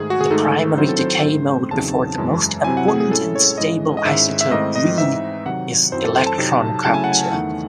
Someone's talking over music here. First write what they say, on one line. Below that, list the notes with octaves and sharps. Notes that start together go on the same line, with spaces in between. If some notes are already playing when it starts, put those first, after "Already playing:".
The primary decay mode before the most abundant stable isotope V is electron capture.
Already playing: G#2 D#3 A3 G#4
F#4
G#4
G#2 D#3 A3 D#4 A4
D#3 F#3 C4 E4 C5
A4
C5
G#2 D#3 A3
E2 C#3 F#3 C4 D#4 A5
F#2 E3 G#3
C3 F#3 C4 E4 G#5
F#5
G#4
G#4
A2 G#3 C#4 E4 A4
C#5
G#2 E3 G#3 C#4 E4 D#5
D#5
G#2 D#3 G#3 C#4 E4 E5
E5
G#2 D#3 A3 C4 E4 D#5
D#5
G#2 E3 C4 D#4 E5
C3 D#3 F#3 F#5
F#2 D#3 F#3 C4 E4 C5
A4
C5
A5
C3 F#3 C4 D#4
C#3 F#3 A3 C#4 E4 A5
G#5
F#5
G#5
E2 D#3 A3 D#4 F#5